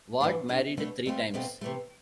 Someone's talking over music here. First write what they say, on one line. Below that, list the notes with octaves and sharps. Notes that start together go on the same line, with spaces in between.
Ward married three times.
G2 E3 A3 D4
B2 A3 D4
B2 A3 D4
B2 A3 C4 F4
B2 A3 C4 F4
C3 E3 A3